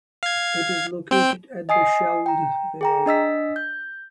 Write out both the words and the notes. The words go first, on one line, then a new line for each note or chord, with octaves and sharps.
It is located at the Scheldt river.
F5 G#6
C4 G5
D#5 G#5 D#6 C7
G5 A#5
G#4 G5 A#5
D4 D#5 E6 B6
G6